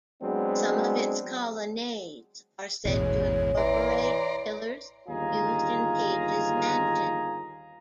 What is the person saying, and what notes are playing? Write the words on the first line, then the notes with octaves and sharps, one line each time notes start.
Some of its colonnades are said to incorporate pillars used in Page's mansion.
F#3 G#3 B3 C4 D4
A1 E2 G#2 B2 C#5
E3 D5 A#5 C6
G1 D#2 F4 G#4 A#5